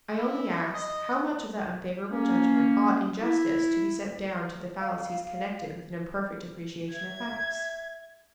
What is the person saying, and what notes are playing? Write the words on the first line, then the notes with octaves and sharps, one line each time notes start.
I only ask--How much of that unfavourable judgment ought in justice to be set down to the fallacies connected with an imperfect appreciation of facts?
E4
D#5
A#3 C#4
E4
F5
E5 G#6